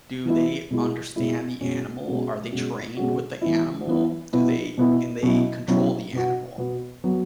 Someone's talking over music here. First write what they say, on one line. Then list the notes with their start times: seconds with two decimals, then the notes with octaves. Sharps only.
do they understand the animal? Are they trained with the animal? Do they can they control the animal?
0.25 E3 B3 E4
0.71 B2 G#3 E4
1.16 B2 G#3 E4
1.61 B2 G#3 C#4 F#4
2.06 B2 G#3 C#4 F#4
2.51 B2 G#3 C#4 F#4
2.97 B2 G#3 C#4 F#4
3.42 E3 B3 E4
3.87 E3 B3 E4
4.33 B2 B3 E4
4.78 B2 B3 E4
5.23 B2 F#3 C#4 E4
5.68 B2 F#3 C#4 E4
6.13 B2 B3 F#4
6.58 B2 B3 F#4
7.04 F#3 B3 F#4